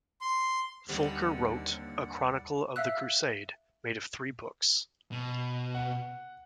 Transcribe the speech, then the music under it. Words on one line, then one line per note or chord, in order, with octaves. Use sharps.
Fulcher wrote a chronicle of the crusade, made of three books.
C6
D#2 D3 G3 C4 D5 F#5
E5 F5 E6 F#6
B2
F#5